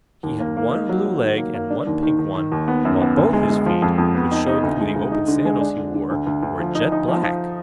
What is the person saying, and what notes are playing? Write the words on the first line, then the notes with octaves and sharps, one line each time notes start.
He had one blue leg and one pink one, while both his feet--which showed through the open sandals he wore--were jet black.
D#2
A#3
A#3
D#4
F#3
F#3
D#3
A#3
A#3
D4
D#2
D#3
D#3
D#3
D#2
B3
F#2
B3
D2
G#3
G#3
F3
F2
F2
B3
D#4
D#4
D2
G#3
D2
D#4
D3
G#3
D4
D3
D3
D2
D2
D2
F3
D#4
D#4
F3
F3